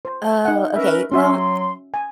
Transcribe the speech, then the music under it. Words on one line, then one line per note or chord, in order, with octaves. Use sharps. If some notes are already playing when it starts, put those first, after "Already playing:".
Oh, okay. Well,
C5
D#4 F#5
C#4 A#4 B4 E5
F#3 C#4 F#4 E5 C6
G#5